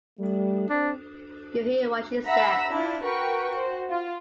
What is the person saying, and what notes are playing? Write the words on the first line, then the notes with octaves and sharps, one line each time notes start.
You hear what she says.
G3 A3
C4 D4
E5 F#5 A#5 B5 E6
D4 E4 F4
F#4 A#4 B4 G5 C#6
F#4 C5
F4